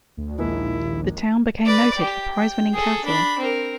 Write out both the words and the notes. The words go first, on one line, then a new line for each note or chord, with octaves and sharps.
The town became noted for prize-winning cattle.
D2
A#1 D#2 F3 G#3 A#3 E4
B4 D5
G4
G5
G#4 A4
D4 B5
C4 A#4